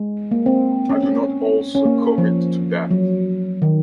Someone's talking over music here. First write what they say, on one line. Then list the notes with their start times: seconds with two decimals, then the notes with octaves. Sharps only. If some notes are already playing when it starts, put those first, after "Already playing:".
I do not also commit to that.
Already playing: G#3
0.31 A#3
0.46 C4
0.89 C#4
1.03 C#4
1.75 C#4
1.85 A#3
2.18 F3
2.91 F#3
3.62 D#3